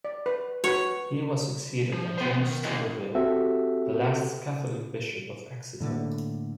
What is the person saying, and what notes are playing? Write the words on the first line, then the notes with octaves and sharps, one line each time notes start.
He was succeeded by James Turberville, the last Catholic Bishop of Exeter.
D5
B4
F#4 B4 C#5
F3
B3 C5
D#3
D#3 E3 F#3 A#3 D#5
C4 F#4 G4 A4 E5
A2 D3 A#3